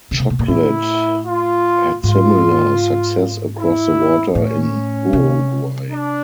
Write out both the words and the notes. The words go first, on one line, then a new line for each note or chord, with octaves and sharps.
Chocolate had similar success across the water in Uruguay.
C#3
C3
B2
A#2
A2 E4
F4
G#2 F4
E4
A2 C#4
C3
D4